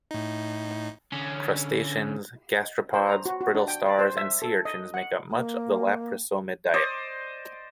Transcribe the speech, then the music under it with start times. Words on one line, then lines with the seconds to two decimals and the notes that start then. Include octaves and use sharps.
Crustaceans, gastropods, brittle stars, and sea urchins make up much of the labrisomid diet.
0.11 A2 D#4
1.12 D3 C#4
2.94 C5
3.09 A#5
3.26 F#4
3.41 F#4
3.55 D4
3.68 G5
3.86 D5
3.99 C5
4.17 E5
4.42 A4
4.65 D#5
4.94 F#5
5.31 A#3
6.74 C5 D5 D#5